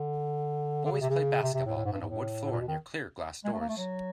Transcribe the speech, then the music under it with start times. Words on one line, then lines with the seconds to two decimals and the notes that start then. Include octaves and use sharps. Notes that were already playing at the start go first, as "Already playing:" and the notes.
Boys play basketball on a wood floor near clear glass doors.
Already playing: D3
0.85 D3
0.92 C#3
1.01 C3
1.09 C#3
1.43 C3
1.54 C3
1.66 A2
1.77 A2
1.85 G#2
1.93 G2
2.01 G#2
2.10 A2
2.44 A2
2.51 A#2
2.61 B2
2.68 D#3
3.44 G#3
3.53 A3
3.61 A#3
3.69 A3
3.77 F#3